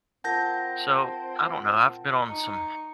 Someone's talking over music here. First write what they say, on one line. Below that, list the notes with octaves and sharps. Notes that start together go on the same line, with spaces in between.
so, I don't know, I've been on some
C4 F4 A#4 F#5 A5 G6 A#6
D#4 C#6